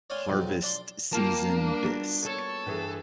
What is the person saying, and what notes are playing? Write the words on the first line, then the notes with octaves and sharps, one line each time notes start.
harvest season bisque.
C#5 D5 F5 F#5 G#5 C6
B1 F2 C#3
D4 D5 C6 D6
G3 A#3 F4 A5
D4
A#3 B3 F#4
A4 C#5
G2 E3 B3 G#4